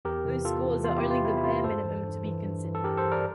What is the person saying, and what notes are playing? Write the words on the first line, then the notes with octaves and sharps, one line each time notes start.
Those scores are only the bare minimum to be considered.
E2 G4 A#4
C3 E3
E2 F4 A4
C3 E3
E2 F4
E4 G4
C3 E3
F4
E2 E4
E4
C3 E3 F4
G2 A4 C5
E3
G2
E3
G2
E3
A4
G2 G4 A#4
A4 C5
E3
A#4 D5